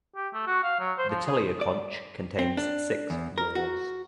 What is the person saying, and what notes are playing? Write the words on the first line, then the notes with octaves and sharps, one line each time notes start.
The teleoconch contains six whorls.
G4
A3
F#4
F5
F#3
C5
F3
G#4
D5
C4
D4
E2
A#4
F#4